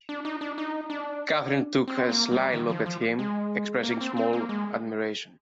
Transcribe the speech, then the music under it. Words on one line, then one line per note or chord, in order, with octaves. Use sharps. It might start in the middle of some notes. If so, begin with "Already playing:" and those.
Catherine took a sly look at him, expressing small admiration.
D4
D#4
D4
D#4
D4
C4
A#3
G3
D#3
F3
F3
G#3
A#3
C4
C4
A#3
G#3